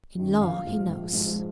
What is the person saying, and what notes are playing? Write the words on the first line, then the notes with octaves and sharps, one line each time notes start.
In law he knows.
F#2 D#3
A#1 F5
G#2 F3 G#3
A#1
G#2 F3 G#3